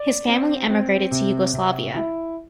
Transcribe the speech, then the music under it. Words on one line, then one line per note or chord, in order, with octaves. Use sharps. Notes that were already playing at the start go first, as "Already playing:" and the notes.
His family emigrated to Yugoslavia.
Already playing: D5
C4
C4
C3
C3
E4